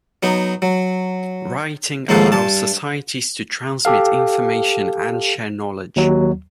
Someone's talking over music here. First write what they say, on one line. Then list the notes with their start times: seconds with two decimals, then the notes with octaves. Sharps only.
Writing allows societies to transmit information and share knowledge.
0.23 F#3 B3 D#4
0.62 F#3
2.09 D#2 G#2 F3 A#3 A4
2.32 G2 A5
3.85 G4 A4 F5
5.96 D#2 F#3